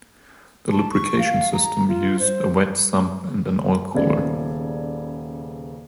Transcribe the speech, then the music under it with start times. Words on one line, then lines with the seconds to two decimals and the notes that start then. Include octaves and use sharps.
The lubrication system used a wet sump and an oil cooler.
0.71 A5
0.92 C#6
1.19 F5
1.53 A#5
1.88 F4
2.19 C5
3.94 D#1 C#3 B3 D5 G#6